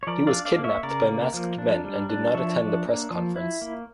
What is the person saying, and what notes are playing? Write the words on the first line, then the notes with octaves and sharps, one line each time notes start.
He was kidnapped by masked men and did not attend the press conference.
C#5
F3 A#4 D5
D5 F5
D4
D5 F5
A#3
C#5 E5
C#3 A#4 D5
A#3
F3
D4
G3
D4
F3 C#5 E5
D4
A#3
F3
E4
A#3